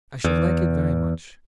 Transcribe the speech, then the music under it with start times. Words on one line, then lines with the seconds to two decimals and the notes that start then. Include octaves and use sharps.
'I should like it very much.
0.24 E2